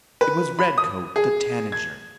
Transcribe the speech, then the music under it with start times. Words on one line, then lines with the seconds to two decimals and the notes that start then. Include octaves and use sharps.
It was Redcoat the Tanager.
0.21 B4
0.59 B5
0.78 D#6
1.16 G#4
1.72 G#6